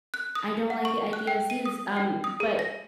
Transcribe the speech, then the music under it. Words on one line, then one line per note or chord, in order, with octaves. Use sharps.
I don't like the idea zoos, um, but
F#6
D#6
F#5
C#6
F#6
G5
D#7
D#6
G5
D#6
G#4
A#6